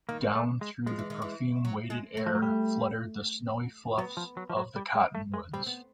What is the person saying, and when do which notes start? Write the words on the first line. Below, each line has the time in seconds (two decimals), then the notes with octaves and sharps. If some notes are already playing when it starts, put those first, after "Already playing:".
Down through the perfume weighted air fluttered the snowy fluffs of the cottonwoods.
0.09 D#3 A#3
0.35 A3
0.61 G#3
0.86 F3 G#3
0.99 E3
1.10 D#3
1.22 E3
1.65 F#3
1.90 G#3
2.17 A3
2.26 F3
2.35 F#3
2.42 G3
3.98 F#3 B3
4.17 F3
4.37 F#3
4.49 F3
4.57 F#3
4.76 G3
4.95 G#3
5.15 A3
5.34 G#3
5.53 G3 C4
5.66 B3